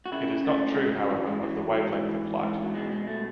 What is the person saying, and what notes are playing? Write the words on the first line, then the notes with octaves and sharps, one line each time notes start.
It is not true, however, of the wavelength of light.
F#4
C#3 E4
F#2 A3
A3
F#2 G#3
F#3
E3 F#3
G#3
E3 F#3
G#2
E3
G#2
F#3
B2 G#3
G#3
A3